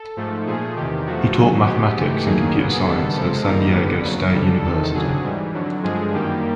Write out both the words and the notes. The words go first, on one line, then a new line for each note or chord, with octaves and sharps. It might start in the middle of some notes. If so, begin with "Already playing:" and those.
He taught mathematics and computer science at San Diego State University.
Already playing: A4
G#2 F3 A3
A#2 F3 A3 G#4
E2 C3 D#3 G4
E2 C3 F3 A3 F#4
G#2 D#3 F#3
B2 G#3 B3 G4
G#2 E3 A3
D#2 D#3 F#3 A#3 G#4
A#2 F#3 B3
G2 D#3 G3 B3 A4
C3 F3 G#3 A4
G#2 D#3 G3 A#3 A#4
F2 D3 G3 B3 B4
D#2 C#3 F#3
F2 D3 G3 A4
E2 C3 D#3 A4
F2 D3 F#3 G#4
G#2 E3 G3
F2 D3 F#3
G2 D3 F3 G#3 G#4
F#2 D#3 G3 A#3 G4